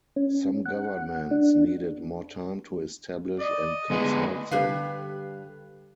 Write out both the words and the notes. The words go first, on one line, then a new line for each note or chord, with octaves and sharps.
Some governments needed more time to establish and consult them.
C#4
F#5
D4
D5 D#5
D2 G#3 B3
G2 D3 G4 A4 B4 F5